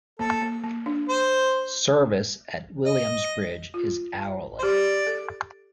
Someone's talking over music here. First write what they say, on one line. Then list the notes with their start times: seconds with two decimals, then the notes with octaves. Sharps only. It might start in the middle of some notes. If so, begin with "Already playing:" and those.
Service at Williams Bridge is hourly.
0.19 A#3 A4
0.42 A#3
0.64 A#3
0.86 D4
1.09 C5
2.85 D#5
3.74 F4
4.59 C5
4.63 G4 D5
5.06 A4